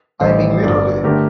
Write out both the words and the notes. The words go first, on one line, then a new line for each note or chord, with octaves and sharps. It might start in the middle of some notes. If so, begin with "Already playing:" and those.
I mean literally.
A1 A2 G3 C5 D#5
G1 G2 F#3 A#4 D5
D3 A3 G4 A#4